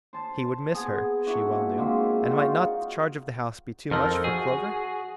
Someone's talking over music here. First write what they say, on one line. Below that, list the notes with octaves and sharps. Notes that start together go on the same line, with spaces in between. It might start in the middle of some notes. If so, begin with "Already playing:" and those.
He would miss her, she well knew, and might not the charge of the house be too much for Clover?
C5 A5
B3 G#4
D4 E4 F#4
A#2
G#3 A#3 C4 E5
D#4 F4 F#4
F2 F3 D#4 A4 A#4
F#4 G#4